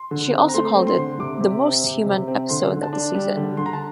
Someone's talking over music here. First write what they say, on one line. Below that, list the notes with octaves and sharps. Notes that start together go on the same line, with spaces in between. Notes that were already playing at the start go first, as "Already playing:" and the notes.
She also called it the "most human" episode of the season.
Already playing: C6
D3
C4
A#5
A3 C6
C4
C6
D3
C3 D6
C3
C4
C3
C3
C4
D3 C6
D3
A5
D4
G3
D3
D3 C6
A#5
A5